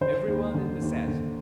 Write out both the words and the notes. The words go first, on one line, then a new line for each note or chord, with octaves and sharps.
Everyone in the set!
D3 C5
D#2
D3
D#2
D3